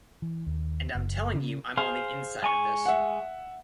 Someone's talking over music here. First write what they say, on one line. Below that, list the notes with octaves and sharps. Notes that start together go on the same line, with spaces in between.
And I'm telling you I'm on the inside of this.
E3
D#2
F#1
C#3
G#4 C5 F5
G#3 G#5 C#6
E5 F#5